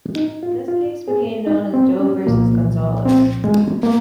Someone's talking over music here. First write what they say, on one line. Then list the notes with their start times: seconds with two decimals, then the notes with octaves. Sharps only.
This case became known as Doe versus Gonzales.
0.16 D#4
0.43 F4
0.68 F4
1.08 G#4
1.47 D#4
1.74 C4
1.99 C#4
2.26 C2 A#2 F3 A#3
3.05 C4
3.44 G#3
3.83 A#3